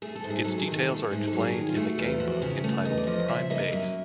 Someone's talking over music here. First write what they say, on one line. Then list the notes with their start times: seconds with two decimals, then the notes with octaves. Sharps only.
Its details are explained in the game book entitled Prime Base.
0.02 A3 G#4
0.15 A4
0.24 G#2
0.30 G#4
0.44 F#3 A4
0.58 G#4
0.67 D#3 A4
0.85 A3 G#4
0.99 A4
1.11 G#2 G#4
1.27 A4
1.33 F#3
1.40 G#4
1.55 D#3
1.69 F4
1.76 A3 F#4
1.98 E2 F4
2.20 F3 F#4
2.42 C#3 G4
2.64 A3 C#5
2.85 E2 D#5
2.97 D5
3.07 F3 D#5
3.28 C#3 E5
3.50 A#3 D#5
3.72 F#2 E5